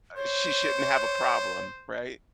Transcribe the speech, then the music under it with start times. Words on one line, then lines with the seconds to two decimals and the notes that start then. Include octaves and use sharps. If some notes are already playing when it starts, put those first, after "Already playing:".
uh, she shouldn't have a problem, right?
0.17 C5 C#5